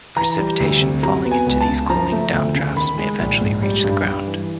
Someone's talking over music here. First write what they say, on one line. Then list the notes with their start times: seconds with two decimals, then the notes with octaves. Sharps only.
Precipitation falling into these cooling down drafts may eventually reach the ground.
0.16 E3 A#5
0.38 G3
0.60 D2
0.81 C3
1.03 F#3 A#5
1.25 B3
1.31 G#5
1.47 C#2
1.61 A5
1.68 C#3
1.90 F3 A#5
2.12 A3
2.33 D2
2.55 C#3
2.76 D#3 B5
2.98 G#3
3.19 A#1
3.41 G#2
3.63 G3
3.84 G2
4.06 G2
4.27 E3